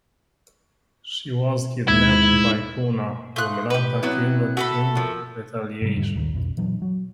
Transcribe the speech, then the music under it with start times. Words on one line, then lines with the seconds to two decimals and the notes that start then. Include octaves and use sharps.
She was kidnapped by Puna, whom Rata killed in retaliation.
1.88 D#2 G#2 E4 G#6
3.36 A3 F5 C6 D#6 F#6
3.70 A2 A3 G4 B4
4.03 F#3 B3 C4 E4 F#6
4.57 A3 F#4 A4 B5
4.95 F3 F#4 A#4 E6
5.82 G#2 C3 G3
5.96 E2 G#2 D3 G3
6.14 A#1 D#2 D#3
6.33 B1 F2 B2
6.57 A#2 E3 F#3 D4
6.82 F#3